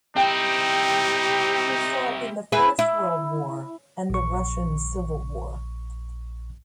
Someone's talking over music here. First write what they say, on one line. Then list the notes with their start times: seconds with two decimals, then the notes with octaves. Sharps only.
He fought in the First World War and the Russian Civil War.
0.16 C4 D#4 E4 G4 G5
2.52 E4 G#4 B4
2.79 E4
4.10 A#1 C#6